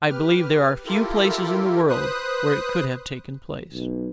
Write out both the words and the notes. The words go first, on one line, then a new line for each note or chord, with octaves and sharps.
I believe there are few places in the world where it could have taken place.
G4 B4 F6
E4 F4 G4 A4 A#4
B4 C5 D#6 F#6
B1